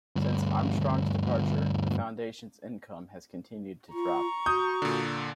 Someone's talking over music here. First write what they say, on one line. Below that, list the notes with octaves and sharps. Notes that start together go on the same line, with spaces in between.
Since Armstrong's departure, the foundation's income has continued to drop.
D2 G2
F4 A#5 C#6
F#4 D#6 G6
A#2 D3